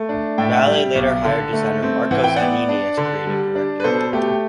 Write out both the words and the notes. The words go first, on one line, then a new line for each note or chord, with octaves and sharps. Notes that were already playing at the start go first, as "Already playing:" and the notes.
Valle later hired designer Marco Zanini as creative director.
Already playing: A3
D4
A2 E5 G5
G3
B1
D3
A3
C4
E3 F#5
G5
B3 D5 F#5
D4
D3
G3
D4
B4
B2 A4 C5
A3 G4